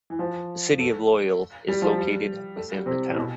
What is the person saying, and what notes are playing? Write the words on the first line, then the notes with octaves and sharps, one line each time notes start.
The City of Loyal is located within the town.
E3
F3
A3
G3
F3
G3
A3
G3
C3
A2
B2